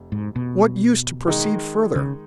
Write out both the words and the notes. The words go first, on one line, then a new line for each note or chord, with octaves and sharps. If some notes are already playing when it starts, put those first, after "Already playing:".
What use to proceed further?
Already playing: F1
G#2
B2
D#3 G#3 D#4
C#3